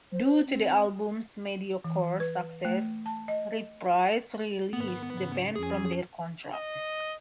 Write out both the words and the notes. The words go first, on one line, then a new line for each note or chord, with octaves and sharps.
Due to the album's mediocre success, Reprise released the band from their contract.
C5
C4
E3
B4
A3
A5
D#5
G#2 D#3 B3
G#2 C#3
F2 C#4 G#4
D#5